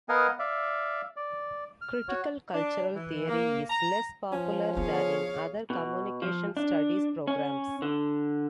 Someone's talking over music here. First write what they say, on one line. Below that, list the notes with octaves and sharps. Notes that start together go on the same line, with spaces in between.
Critical-cultural theory is less popular than in other "communication studies" programs.
B3 A#4 D#5 F5 F#5 G#5
D5 E5 F5
D5
F6
F#4 C#5
D4
E3
A#3
A#5
F3 C#4
B3 E4 G#4 C#5 F5
B2
F3
D4
C#4
D3